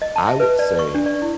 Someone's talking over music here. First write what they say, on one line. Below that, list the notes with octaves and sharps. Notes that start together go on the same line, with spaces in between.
I would say
D#5
A5
E5
B4
D5
C#6
D4
D5
E4